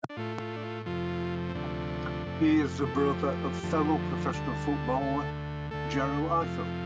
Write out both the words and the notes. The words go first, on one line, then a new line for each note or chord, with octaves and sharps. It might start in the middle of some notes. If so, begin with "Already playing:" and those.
He is the brother of fellow professional footballer, Jerel Ifil.
D4
A2 A3 F4
F4
D4
F4
F2 C3 F3 A3 F4
C4
D2 C3 F3 A3 D4
F2 C3 A3
A4
F2 F3 A3 G4
F2 D3 F3 A3
D2 D3 G3 A4
D2 D3 A3
D2 D3 A3 A4
F2 C3 F3 A3 F5